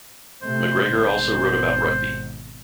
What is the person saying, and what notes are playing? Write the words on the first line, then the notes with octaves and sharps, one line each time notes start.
MacGregor also wrote about rugby.
C3 A3 C5
G#1 B2